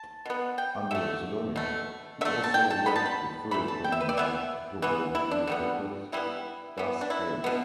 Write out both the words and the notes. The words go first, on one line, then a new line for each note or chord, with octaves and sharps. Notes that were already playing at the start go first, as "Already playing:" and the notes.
Under a pseudonym he also wrote the Feuilleton of Goebbels newspapers “Das Reich”.
Already playing: A5
B2 B3
G5
D3 A3 E5
B2 A3
D3 A3 E5
A5
G5
A5
B2 B3 B5
A5
B5
E3 A3 B5
A5
G5
E5
B4
D5
E3 B3 E5
E3 B3
E4
D4
D3 G3 B3
E3 G3 B3 E4
E3 B3
D4
E4
B2 B3